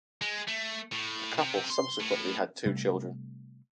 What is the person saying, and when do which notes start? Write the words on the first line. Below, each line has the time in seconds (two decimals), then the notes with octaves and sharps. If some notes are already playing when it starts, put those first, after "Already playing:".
The couple subsequently had two children.
0.22 G#3
0.48 A3
0.92 A2
1.38 C3
1.70 C6
2.00 A2
2.66 C3 G3 A3